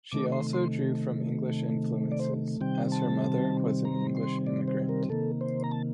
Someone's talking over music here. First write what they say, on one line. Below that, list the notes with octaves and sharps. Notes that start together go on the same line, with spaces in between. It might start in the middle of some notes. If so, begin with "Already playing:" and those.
She also drew from English influences, as her mother was an English immigrant.
C3 D#3 A3 D6
C6
C6
D5
C5
C3 D#3 G3 C4 G5
A5
A#5
C6
D5
C5
A#4
C3 D#3 A#3 A4
C5
A#5
A5